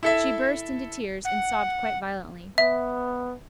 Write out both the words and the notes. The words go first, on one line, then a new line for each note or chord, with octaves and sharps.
She burst into tears, and sobbed quite violently.
E4 A4 E5
F#5
B3 E5